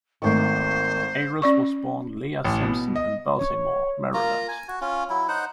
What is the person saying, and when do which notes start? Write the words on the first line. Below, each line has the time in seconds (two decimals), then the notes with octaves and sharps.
Ayres was born Leah Simpson in Baltimore, Maryland.
0.22 G#1 D#3 A3 A#3 C5 C#6
1.42 C#4 D5 C#6
2.45 A1
2.63 B2
2.96 D#5
3.38 C#5
4.14 A#3 F4 A#5
4.48 G#5
4.68 F#4
4.81 C#4 F4
5.10 F#3 E4
5.28 D#4 C5 F#5